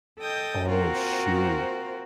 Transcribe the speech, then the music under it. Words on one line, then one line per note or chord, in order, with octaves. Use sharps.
Oh, shoot.
A4 D#5 G5 D#6 G6 A6
A#3 C4 F4 F#4 A#4 C5